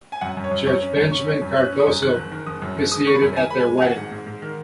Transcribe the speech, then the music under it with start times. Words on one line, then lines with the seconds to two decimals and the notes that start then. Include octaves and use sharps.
Judge Benjamin Cardozo officiated at their wedding.
0.12 G#5
0.21 F#2 F#5
0.37 F#2
0.44 C#5
0.51 F#2
0.66 F#2 C#5
0.82 C#4
0.97 F#2
1.11 C#4 C#6
1.27 C#4
1.42 F#2
1.57 C#4 F#6
1.72 C#4
1.80 D#6
1.87 F#2
2.02 D#3 F#6
2.16 F#1
2.32 D#3
2.46 F#1 D#6
2.62 F#2
2.77 F#1
2.92 G#3 D#6
3.06 D#3 C#6
3.15 B5
3.22 F#2
3.36 D#3 G#5
3.50 G#3 B5
3.59 G#5
3.67 F#1
3.77 G#5
3.82 G#1 F#5
3.97 G#2
4.12 G#2
4.26 G#2
4.42 D#3